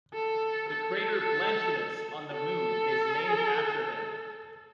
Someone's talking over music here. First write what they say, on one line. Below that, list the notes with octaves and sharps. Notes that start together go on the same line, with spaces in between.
The crater Blanchinus on the Moon is named after him.
A4
A4
A4